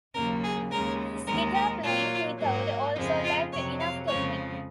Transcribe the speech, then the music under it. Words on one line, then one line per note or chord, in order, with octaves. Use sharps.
His guitar playing, he thought, also lacked enough technique.
D#2 C#3 F#3 A#3 A#4
G#4
D#2 C#3 G#3 A#4
D#2 D#3 G#3 A#4
A#4
A#2 F#3 A#3 F4
G#2 F#3 A#3
F2 C#3 F3 G#3 D#4
F4
F2 C3 F#3 C#5
F5
F2 C#3 F3 G#3 C#5